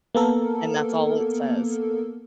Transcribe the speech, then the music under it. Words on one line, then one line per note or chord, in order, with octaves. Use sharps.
and that's all it says.
A#3 B3 A4 A#4